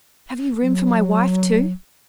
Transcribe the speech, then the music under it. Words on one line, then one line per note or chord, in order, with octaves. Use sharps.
Have you room for my wife, too?'
F#3